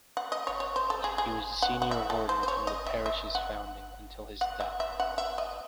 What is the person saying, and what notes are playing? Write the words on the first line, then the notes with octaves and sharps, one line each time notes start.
He was the Senior Warden from the parish's founding until his death.
F#5
D#5
C#5
C#5
C5
A4
G#4
G#4
F#5
F#5
E5
A4
C5
C5
C#5
D#5
E5
E5
F#5
F#5
E5
E5
F#5
E5
D#5